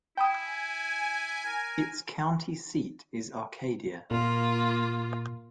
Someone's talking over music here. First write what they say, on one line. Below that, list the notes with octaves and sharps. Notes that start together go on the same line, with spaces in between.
Its county seat is Arcadia.
E4 G5 G#5 B5 D#6
A#4
A#2 A#3 F4